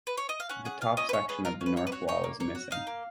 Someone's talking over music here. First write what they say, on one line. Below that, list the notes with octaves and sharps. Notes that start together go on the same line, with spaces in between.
The top section of the north wall is missing.
B4
C#5
D#5
F5
C#4 F#5
G#4 F#5
F4 F5
C#4 D#5
B4
C#4 C#5
G#4 B4
F4 A#4
C#4
B4
A#3 C#5
B4
F#4 C#5
D#4 C#5
A#3
A#3 C#5
F#4
D#4 F5
A#3